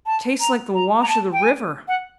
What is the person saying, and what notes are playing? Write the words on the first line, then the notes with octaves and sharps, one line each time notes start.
'Tastes like the wash of the river.'
A5
A#5
A#5
A#5
A5
G5
G#5
F#5